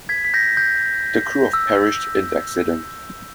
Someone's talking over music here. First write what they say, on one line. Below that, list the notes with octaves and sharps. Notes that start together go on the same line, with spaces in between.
The crew of perished in the accident.
G#6 B6
B6
G6 A#6
G6
E6